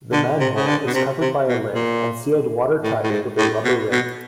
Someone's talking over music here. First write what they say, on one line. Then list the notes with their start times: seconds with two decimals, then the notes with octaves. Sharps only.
The manhole is covered by a lid and sealed watertight with a rubber ring.
0.12 D3
0.40 C3
0.56 C#3
0.66 D3
0.87 B2
0.94 C3
1.21 C3
1.48 B2
1.75 A#2
2.83 A2
3.03 A2
3.10 G#2
3.38 A2
3.64 B2
3.91 B2